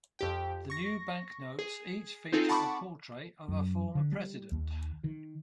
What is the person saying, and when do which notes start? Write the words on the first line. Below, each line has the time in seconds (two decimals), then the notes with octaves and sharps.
The new banknotes each feature a portrait of a former president.
0.19 F2 G4 G5
0.70 C#6 A#6
1.59 G#4
2.32 C4 D#4 F4 G#4 A4
2.49 F#5 A5 B5 C#6 D6
3.48 F#2
3.95 D3
4.12 G3
4.52 D#2
5.04 D#3